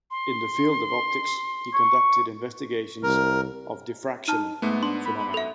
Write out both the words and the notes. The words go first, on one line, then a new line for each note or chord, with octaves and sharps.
In the field of optics he conducted investigations of diffraction phenomena.
C6
C#6
C2 A#4
D#4 A5 F6 D#7
G#2 A3 B3
D4 C6
B5
A4 E5